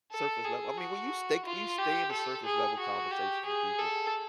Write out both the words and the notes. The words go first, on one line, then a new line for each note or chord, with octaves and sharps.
surface-level I mean, when you stake you stay in the surface-level conversations with people
A4
G#4
F#4
F4
G4
A4
G#4
F#4
G4
G#4
A4